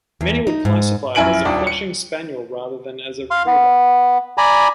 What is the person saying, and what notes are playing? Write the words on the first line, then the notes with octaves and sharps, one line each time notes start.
Many would classify it as a flushing spaniel rather than as a retriever.
E2
D#4
G#2
A#1 F#2 E4 G#5 D7 F#7
D#1 D#2 D4
C#7
F5 C6
B3
D5 G#5 A#5 B5